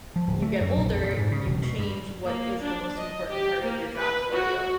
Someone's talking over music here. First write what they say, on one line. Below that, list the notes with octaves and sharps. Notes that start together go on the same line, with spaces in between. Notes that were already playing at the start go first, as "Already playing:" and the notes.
you get older, you change what is the most important part of your job for you.
F3
D1
A3
F#2
A#1
F2
A#2
G#2
C#3
E1
B2
G2
A#3
D4
D#5
G4
A#3
B4
F#4